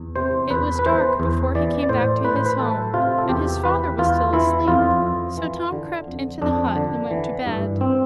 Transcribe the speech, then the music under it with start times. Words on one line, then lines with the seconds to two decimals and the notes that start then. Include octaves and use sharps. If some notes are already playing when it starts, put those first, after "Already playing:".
It was dark before he came back to his home, and his father was still asleep; so Tom crept into the hut and went to bed.
Already playing: E2
0.16 C3 C5
0.50 E2 B4
0.79 B4
0.86 E3 C5
1.20 E2
1.55 E3 D5
1.83 D5
1.89 A2 C5
2.24 A2 B4
2.36 C5
2.46 B4
2.59 E3 A4
2.94 C3 F4
3.18 A4
3.29 E2 G4
3.64 E3 B4
3.98 E2 F4
4.33 E3 E4
4.67 F2 F4
5.02 F2
5.38 E3
5.72 D3
6.07 F2
6.42 F2 D4
6.76 D3
7.11 E3
7.46 G2
7.81 C4